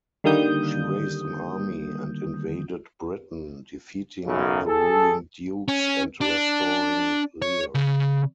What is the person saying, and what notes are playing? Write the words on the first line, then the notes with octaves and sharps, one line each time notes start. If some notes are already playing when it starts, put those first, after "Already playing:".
She raised an army and invaded Britain, defeating the ruling dukes and restoring Leir.
D3 D#3 G3 A#3 D#6 G6
B1 F#2 C#3
G#4 A4
C#4
D4
C#5
C#3